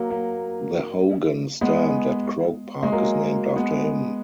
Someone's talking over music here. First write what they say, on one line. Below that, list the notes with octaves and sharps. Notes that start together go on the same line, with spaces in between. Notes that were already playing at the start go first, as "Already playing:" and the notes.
The Hogan stand at Croke Park is named after him.
Already playing: F#3 A#3
F#3 A#3
G#3 B3
G#3
F#3 A#3
G#3 B3